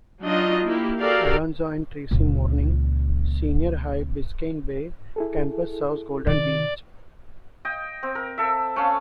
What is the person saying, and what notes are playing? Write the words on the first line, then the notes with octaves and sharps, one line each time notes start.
Alonzo and Tracy Mourning Senior High Biscayne Bay Campus serves Golden Beach.
F#3 D4 D#4 F4 D#5
A#3 E4 G4
F#4 G4 A4 A#4 D5 F5
C#2 A#2
E4 G#4 A4
C3 D#3 D5
D#5 G5
C4
A#4
A4 E5
A3 C#4 F5